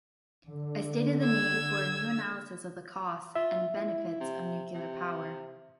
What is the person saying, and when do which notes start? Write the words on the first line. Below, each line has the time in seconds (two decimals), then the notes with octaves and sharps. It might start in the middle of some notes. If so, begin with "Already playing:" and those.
I stated the need for a new analysis of the costs and benefits of nuclear power.
0.45 D3
1.22 E6 G#6
3.35 F4 E5
3.77 E4
4.20 C3
4.74 C3